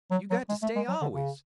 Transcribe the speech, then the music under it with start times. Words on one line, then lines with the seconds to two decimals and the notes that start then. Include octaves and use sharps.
You got to stay always.
0.11 F#3
0.30 F#3
0.49 G#3
0.62 A3
0.75 G#3
0.88 F#3
1.01 D3
1.14 C#3